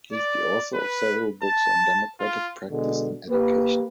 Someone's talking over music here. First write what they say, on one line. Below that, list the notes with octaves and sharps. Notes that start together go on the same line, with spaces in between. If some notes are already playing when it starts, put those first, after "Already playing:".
He is the author of several books on democratic practice and education.
D5
B4
A5
F4
B2 D3 G#3
A#3 G4 B4